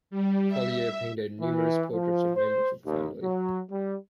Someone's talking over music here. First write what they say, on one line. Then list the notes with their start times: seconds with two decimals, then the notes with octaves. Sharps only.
Collier painted numerous portraits of members of the family.
0.10 G3
0.48 E5
1.40 E3
1.92 F3
2.36 C5
2.85 D#2
3.23 F#3
3.71 G3